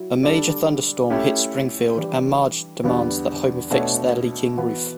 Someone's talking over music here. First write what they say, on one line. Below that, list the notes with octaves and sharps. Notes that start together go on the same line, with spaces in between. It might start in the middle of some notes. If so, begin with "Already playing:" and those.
A major thunderstorm hits Springfield, and Marge demands that Homer fix their leaking roof.
Already playing: F#3 E4
D3 G3 D4 A4 D5
A3 C#4 E4 G4
E3 G3 D4 G4
E2 D3 G3 B3
B2 A3 D4 F#4 C#5
E3 B3 F#4